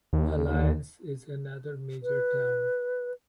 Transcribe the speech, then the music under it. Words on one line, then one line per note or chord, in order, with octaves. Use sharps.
Alliance is another major town.
D#2
B4